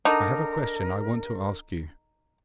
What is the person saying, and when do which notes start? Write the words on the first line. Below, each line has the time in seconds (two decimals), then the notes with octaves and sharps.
'I have a question I want to ask you.'
0.05 D3 D#4 A#4